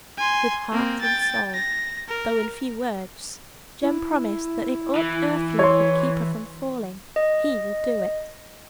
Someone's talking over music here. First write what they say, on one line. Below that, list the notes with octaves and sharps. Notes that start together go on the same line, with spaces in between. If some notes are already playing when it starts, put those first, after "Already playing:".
With heart and soul, though in few words, Jem promised that if aught earthly could keep her from falling, he would do it.
G#5 C6
A#3 C4
G5 A6
A#6
A#4
E4
E3
C#5 C6
D#5